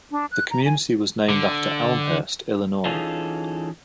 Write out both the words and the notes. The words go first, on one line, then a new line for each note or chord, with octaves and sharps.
The community was named after Elmhurst, Illinois.
D4
F#6
A#5
G#5
D3
E3 C#4 D#4 F4 G#4 A4